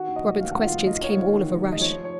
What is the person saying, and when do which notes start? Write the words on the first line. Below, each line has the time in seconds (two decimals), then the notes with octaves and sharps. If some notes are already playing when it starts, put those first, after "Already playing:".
Robin's questions came all of a rush.
Already playing: D#3 F#4 F#5
0.08 D#2
0.16 D#5
0.24 F1
0.39 D#2 F5
0.51 F1 F#5
0.63 F4 F5
0.71 F1
0.87 F1 D#5
1.03 D#3 C#5
1.10 D#5
1.18 D#2
1.33 D#3
1.49 F1
1.65 F1
1.72 D#5
1.81 F3 C#5
2.04 C#5